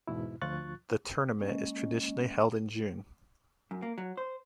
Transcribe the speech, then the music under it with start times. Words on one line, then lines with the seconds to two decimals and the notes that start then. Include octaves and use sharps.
The tournament is traditionally held in June.
0.08 E2 G#2 B2 E4
0.42 D2 F3 F4 C#6 F#6 A6
1.39 G#3 A#3 C#4 D#5
3.71 F#2
3.82 A#3
3.98 F#3
4.17 C5